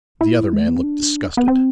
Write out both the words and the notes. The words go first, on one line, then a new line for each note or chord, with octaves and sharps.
The other man looked disgusted.
E4
G#3
A3
B3
C4
D4
B3
C4